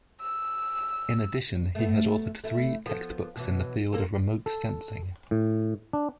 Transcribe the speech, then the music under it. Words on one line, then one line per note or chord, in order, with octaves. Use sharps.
In addition, he has authored three textbooks in the field of remote sensing.
E6
A3 B3
A3 E4
F3 B3 A4
B2 E3 F#3
A#3 C4 A4
A4
A2
D4